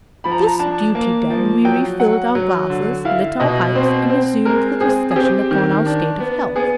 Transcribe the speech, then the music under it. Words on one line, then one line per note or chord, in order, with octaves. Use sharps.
This duty done, we refilled our glasses, lit our pipes, and resumed the discussion upon our state of health.
F3 B5
A#5
A5
A#5
D4 A5
A#3
F3
F#3 G5
F#3 F#5
F#3
D3
E4 F5
B2 D#5
C4 C5
C4
G#3 A#4
C4 G#4
G#4
C4 G4
D#3
D4
B3
B3 G#4